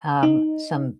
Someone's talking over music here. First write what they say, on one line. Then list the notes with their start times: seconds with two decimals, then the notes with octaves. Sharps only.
um, some
0.23 D#4